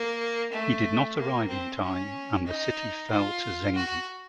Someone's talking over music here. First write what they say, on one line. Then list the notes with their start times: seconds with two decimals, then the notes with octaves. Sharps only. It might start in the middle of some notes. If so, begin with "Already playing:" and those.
He did not arrive in time and the city fell to Zengi.
Already playing: A#3
0.52 A3
1.17 A#3
1.48 C4
1.81 C#4
2.47 D#4
3.10 F4
3.75 F#4